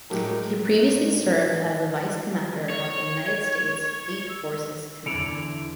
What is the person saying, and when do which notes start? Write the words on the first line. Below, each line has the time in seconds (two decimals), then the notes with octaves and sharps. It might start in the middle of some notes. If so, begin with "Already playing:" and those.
He previously served as the Vice Commander of the United States Fleet Forces Command.
0.10 A2 F#3 G#3 G4 A#4
2.70 C#5 G#6
4.29 E6
5.06 E2 D3 E3 E4 D5 C#7 D7 F7